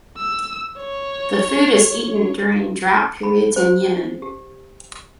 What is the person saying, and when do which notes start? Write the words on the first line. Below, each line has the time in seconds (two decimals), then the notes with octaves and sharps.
The food is eaten during drought periods in Yemen.
0.18 E6
0.79 C#5
3.23 B5
3.56 C5
4.22 G4